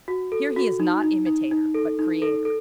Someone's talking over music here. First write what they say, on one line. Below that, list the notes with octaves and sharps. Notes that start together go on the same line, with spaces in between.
Here he is not imitator, but creator.
F#4
A4
F#4
D#4
D#4
D#4
D#4
A4
D#4
A4
A4